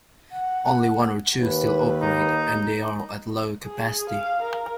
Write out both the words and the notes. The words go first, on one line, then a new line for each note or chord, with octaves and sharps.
Only one or two still operate and they are at low capacity.
F#5
D#2 B4
D#4
G#4
F5
A#4